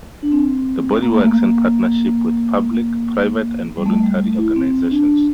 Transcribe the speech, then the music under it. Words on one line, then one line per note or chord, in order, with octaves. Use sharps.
The body works in partnership with public, private and voluntary organisations.
D4
C4
A#3
A3
A#3
G3
A3
G3
A3
E4
C4
D4